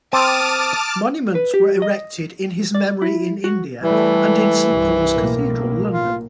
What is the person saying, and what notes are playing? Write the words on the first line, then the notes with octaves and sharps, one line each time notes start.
Monuments were erected in his memory in India and in Saint Paul's Cathedral, London.
C4 A5 D6 D#6 F6
B4
G4
D#5
D5
E4
F#4
E3 G3 A3
C2 G2
B1 A2 A#3
F4